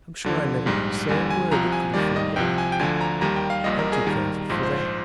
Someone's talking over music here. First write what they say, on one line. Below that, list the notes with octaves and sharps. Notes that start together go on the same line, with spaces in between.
I'm sure I never say a word that could offend her; I'm too careful for that.
D#2 D3 F3
A#1 G#2 G3
D#2 D3 G3 G#5
G#5
C2 C3 F3 A#5
G#5
D#2 D#3 G3 D5
D#5
C2 C3 F3 G5
G#5
G5
D2 D3 F3 G#5
A#5
D#2 D#3 G3 A#5
G5
F5
A#1 A#2 G3 D#5
A#4
G#4
D#2 D#3 G3 A#4
A#1 G#2 F3 C5
C5
C5